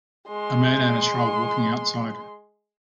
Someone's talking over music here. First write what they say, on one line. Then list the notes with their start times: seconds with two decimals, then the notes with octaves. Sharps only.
A man and a child walking outside.
0.28 G#3 C6